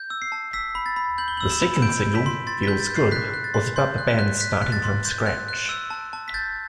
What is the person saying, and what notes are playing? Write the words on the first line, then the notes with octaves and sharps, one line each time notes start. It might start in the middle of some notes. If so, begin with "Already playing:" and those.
The second single "Feels Good" was about the band "starting from scratch".
Already playing: G6
E6
C7
A5
E6 B6
B5
A6
B5
G6 F#7
G7
E6 F#7
E7
B5
G6 D7
G6
B6
C6
C6 A6
G6 B6
A6
G6
C7
F#6 B6
F#6
A6
C6
C6 G6
F#6
B6
F#6
F#6 B6
F#6
A6
C6
C6 G6
F#6
F#6
E6
A5
A5
B6
G6 A6